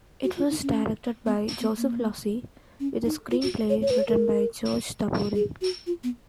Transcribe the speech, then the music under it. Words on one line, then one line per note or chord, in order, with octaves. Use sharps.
It was directed by Joseph Losey, with a screenplay written by George Tabori.
F#4
F4
D#4
C#4
B3
B3
A#3
C#4
D#4
F4
F#4
C#5
C#5
B4
C#5
A#4
G#4
F#4
F4
B3